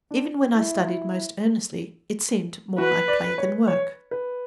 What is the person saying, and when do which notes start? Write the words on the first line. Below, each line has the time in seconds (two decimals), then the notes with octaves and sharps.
Even when I studied most earnestly it seemed more like play than work.
0.11 D4
0.55 E4
2.78 F#4 B4
3.08 D5
3.38 C#5
3.68 C#5
4.11 B4